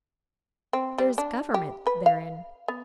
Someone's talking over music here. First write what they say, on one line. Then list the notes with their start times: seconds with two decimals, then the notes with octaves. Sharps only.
There is government therein.
0.73 C4
0.98 G3
1.18 D4
1.54 G4
1.87 B4
2.06 F5
2.68 B3